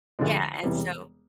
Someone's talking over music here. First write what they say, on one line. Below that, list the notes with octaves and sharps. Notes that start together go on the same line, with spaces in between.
Yeah, and so
D2 D3 F3 G#3
E1 E2 C3 E3 G3